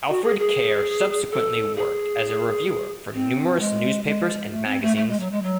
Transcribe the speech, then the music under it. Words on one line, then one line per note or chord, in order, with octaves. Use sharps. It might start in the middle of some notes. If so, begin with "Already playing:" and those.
Alfred Kerr subsequently worked as a reviewer for numerous newspapers and magazines.
F#4
G#4
G#4
A4
G#4
C4
G#3
G#3
A3
C4
A3
A3
G#3
F#3
G#3
F#3